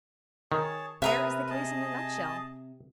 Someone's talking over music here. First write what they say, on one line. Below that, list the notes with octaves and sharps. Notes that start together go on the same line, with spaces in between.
There is the case in a nutshell.
D#3 G#4 C#5 A5
C3 A#4 B4 E5 A#5 D#6
G#4 D#5 A5